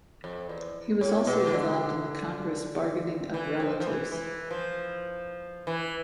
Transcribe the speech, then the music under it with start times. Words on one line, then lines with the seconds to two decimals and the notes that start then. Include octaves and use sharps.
He was also involved in the Congress bargaining of relatives.
0.24 F2
0.49 E2
1.01 A2
1.27 B2
1.47 E3
1.53 D3
3.34 E3
3.60 F3
3.80 F3
3.86 E3
4.12 E3
4.51 F3
5.67 E3